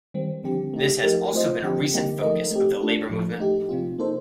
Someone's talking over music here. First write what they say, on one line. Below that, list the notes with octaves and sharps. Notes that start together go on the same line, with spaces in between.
This has also been a recent focus of the labour movement.
D#3 G3 C4
D3 F3 C4 G4
A3 D#4 G4
F3 A3 D#4 G4 A#4
A3 C4 F4 C5 D#5
D3 F3 C4 G4
D3 G3 A#3 D#4 G4
F3 A3 D#4 A#4 D#5
A3 C4 G4
A3 D4 F4 A4
A2 F3 A3
A3 D#4 G4
C3 F3 C4 F4
A#3 D#4 A4 C5